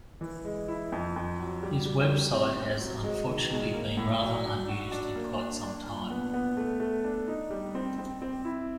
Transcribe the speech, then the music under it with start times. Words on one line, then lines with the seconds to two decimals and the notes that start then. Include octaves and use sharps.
His website has unfortunately been rather unused in quite some time.
0.21 E3
0.45 G#3
0.68 E4
0.92 F2
1.16 F2
1.39 F#3
1.63 G3
1.86 G3
2.09 G4
2.33 C4
2.57 C4
2.80 F#3
3.03 G#3
3.28 D#3
3.51 G#3
3.74 A#3
3.97 A2
4.21 F#3
4.46 D4
4.69 F#4
4.92 D4
5.16 A#3
5.39 D4
5.63 D4
5.86 A#2
6.10 B3
6.34 B3
6.57 A3
6.80 A3
7.04 D4
7.28 D#4
7.50 G3
7.75 C4
7.98 C4
8.22 C4
8.45 E4